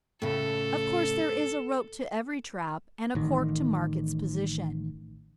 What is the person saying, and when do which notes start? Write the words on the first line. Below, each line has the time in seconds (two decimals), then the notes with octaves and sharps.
Of course, there is a rope to every trap, and a cork to mark its position.
0.22 A2 C#3 A4
3.15 A1 D#3